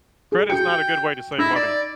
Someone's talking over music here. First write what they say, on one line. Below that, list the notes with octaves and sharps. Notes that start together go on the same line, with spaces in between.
Credit is not a good way to save money.
G#4
F#4 G5 C#7
D#4 E4 E6 A#6
D5